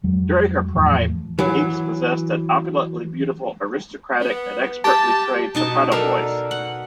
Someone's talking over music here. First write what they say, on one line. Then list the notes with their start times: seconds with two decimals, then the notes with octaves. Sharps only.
During her prime, Eames possessed an opulently beautiful, aristocratic and expertly trained soprano voice.
0.03 F2 F#3 G#3
0.75 E2 A2 F3
1.39 E3 F#3
4.20 B3
4.84 G4 A5
5.55 B2 D#4 A5
5.92 D4 A4 A#4
6.51 F#5